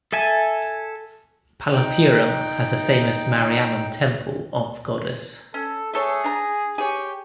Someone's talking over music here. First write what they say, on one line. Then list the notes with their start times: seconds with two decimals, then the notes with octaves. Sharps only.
Palappuram has a famous Mariamman Temple of Goddess.
0.13 A4 E5 G#5 A5
1.73 D#4 G5
5.54 C#4 A4
5.94 A3 G#4 A4 C#5
6.24 D4 A#5
6.78 G4 G#4 C#5